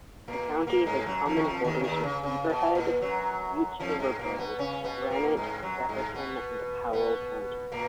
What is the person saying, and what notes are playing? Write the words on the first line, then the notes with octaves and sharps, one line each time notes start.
The county has common borders with Beaverhead, Butte-Silver Bow, Granite, Jefferson and Powell counties.
A#2 A#3
A#2 A#3
G#2 G#3
F#2 F#3
F2 F3
D#3
F2 F3
D#2 D#3
C#3
D#2 D#3
C#3
C#3
B2
A#2
F#2 F#3
F2 F3
G#2 G#3
A#2 A#3
B2 B3
C#3 C#4
B2 B3
A#2 A#3
G#2 G#3
F#2 F#3
G#2 G#3
B2 B3
B2 B3
A#2 A#3